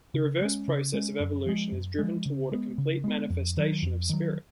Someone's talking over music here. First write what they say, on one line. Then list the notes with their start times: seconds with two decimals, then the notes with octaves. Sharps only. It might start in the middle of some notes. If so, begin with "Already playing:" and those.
The reverse process of evolution is driven toward a complete manifestation of spirit.
0.14 C#3
0.41 G#3 C#4
0.68 C#3
0.93 G#3 C#4
1.20 F#2
1.46 F3 G#3
1.72 F#2
1.99 F3 G#3
2.26 C#3
2.52 G#3 B3
2.78 C#3
3.04 G#3 B3
3.30 F2
3.57 D#3 F#3
3.83 F2
4.10 D#3 F#3